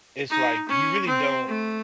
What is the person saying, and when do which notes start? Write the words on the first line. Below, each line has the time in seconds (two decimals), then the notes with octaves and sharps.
it's like you really don't,
0.30 D#4
0.69 C#4
1.07 C4
1.47 A3